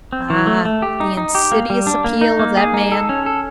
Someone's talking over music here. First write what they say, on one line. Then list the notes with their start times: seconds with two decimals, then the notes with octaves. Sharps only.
Ah, the insidious appeal of that man!
0.13 C4
0.30 E3
0.47 A3
0.65 A3
0.82 G4
1.00 D#4
1.17 D#4
1.35 G4
1.52 A#3
1.70 G3
1.87 D4
2.04 A#3
2.21 D#4
2.39 A#3
2.57 G#4
2.74 D#4
2.92 A4
3.09 C#4
3.26 A4